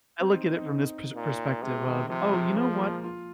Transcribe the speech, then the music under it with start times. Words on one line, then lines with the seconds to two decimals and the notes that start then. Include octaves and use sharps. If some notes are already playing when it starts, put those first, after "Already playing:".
I look at it from this pers perspective of, "Oh, you know what?
0.20 C4
0.33 D#4
0.56 D#4
1.15 A#2
1.62 C3 G#3
1.86 D#3
2.09 C3 F3
2.21 G#3
2.33 F3
2.57 F3 G#3
2.73 A#3
3.04 F4